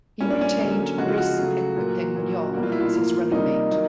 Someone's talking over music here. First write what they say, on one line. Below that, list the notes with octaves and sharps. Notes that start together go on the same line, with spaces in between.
He retained Chris Ekpenyong as his running mate.
A#2 G3 A#3 C#4
D4
C#4
D3 F#3 A#3
C#3 F3 G#3 F#4
F4
F#4
C#3 F#3 A3
A#2 F#3 A#3
A#2 F#3 A#3
B2 G3 A#3 F#4
F4
E4
F4
A2 F3 A#3
C3 D#3 G3 A#3 D#4
D#3 F#3 A#3